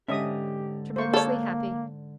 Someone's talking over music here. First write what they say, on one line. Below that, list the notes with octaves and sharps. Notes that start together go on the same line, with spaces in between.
'Tremendously happy.
G#2 D3 C#4 G4 D#5 E5 D#6
A#3 C5 C#6
D4 A4 C#5